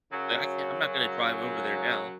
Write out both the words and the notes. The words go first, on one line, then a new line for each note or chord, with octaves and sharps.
but I can't I'm not gonna drive over there now.
F#2 C#3 F#3